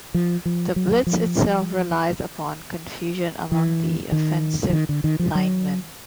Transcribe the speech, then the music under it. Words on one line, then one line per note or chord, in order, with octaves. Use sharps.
The blitz itself relies upon confusion among the offensive linemen.
F3
F3
F#3
F3
E3
D#3
E3
D#3
D3
D#3
F3
F#3